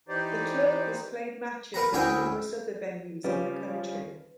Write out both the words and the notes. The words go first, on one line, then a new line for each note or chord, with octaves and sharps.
The club has played matches at numerous other venues in the county.
E3 D#4 G4 C5 D5
A#4 B4 F#5 A#5
D2 F#3 C#4 E4 G5 G#5
C#3 F3 G3 C#4 B4